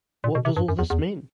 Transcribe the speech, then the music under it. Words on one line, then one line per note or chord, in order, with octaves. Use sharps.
What does all this mean?
A#2
B2
C3
G2
F#2
E2
E2